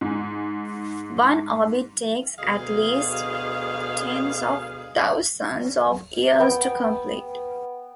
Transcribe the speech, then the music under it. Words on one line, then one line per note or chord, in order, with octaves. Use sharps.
One orbit takes at least tens of thousands of years to complete.
G#2 G#5
D2 B2 G#4 D#5 F5
B3 G5